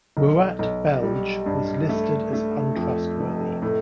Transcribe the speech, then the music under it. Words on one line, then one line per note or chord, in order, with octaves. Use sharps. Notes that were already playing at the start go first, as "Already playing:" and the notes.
Murat Belge was listed as untrustworthy.
B1
B1
G3
G2
A3
A3
F2
F1
A2